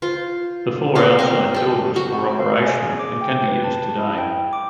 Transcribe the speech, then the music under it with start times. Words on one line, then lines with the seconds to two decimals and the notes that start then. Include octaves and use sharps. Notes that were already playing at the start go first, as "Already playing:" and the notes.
The four outside doors are operational and can be used today.
0.02 F4 C5
0.95 B3 C5 D#5 F5
1.19 C4 A#4 C5
1.54 G4 A4
1.96 F#4
2.24 C5
2.40 F5
2.62 G#5
2.73 G#4
2.99 D6
3.21 G5
3.47 B4
3.64 A5
3.97 E4
4.18 G5
4.53 D6